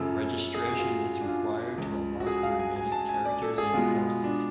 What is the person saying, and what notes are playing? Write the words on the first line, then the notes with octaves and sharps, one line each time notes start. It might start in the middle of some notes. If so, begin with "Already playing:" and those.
Registration is required to unlock the remaining characters and courses.
Already playing: F#2 C#3 F3 A3 A4
G#4
F#4
F4
D4
F4
C#2 C#3 F3
F#4
G#4
F5
G#5
G#5
A5
G#5
D5
A4
G#4
B2 G#3 B3 F4
D4